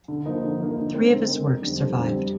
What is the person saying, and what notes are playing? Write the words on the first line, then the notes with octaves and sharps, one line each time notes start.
Three of his works survived.
D3
F3 A#3 D#4
D3
F3 A#3 D#4
D3
G#3 C4 D#4 A#4
D3
G#3 C4 D#4 A#4
F2
D3 G3 C4
F2
D3 G3 C4
G3